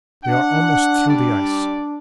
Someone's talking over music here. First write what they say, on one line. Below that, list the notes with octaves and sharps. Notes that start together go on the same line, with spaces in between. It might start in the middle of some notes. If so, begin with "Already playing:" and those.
We are almost through the ice.
D4 F#5
G3 D5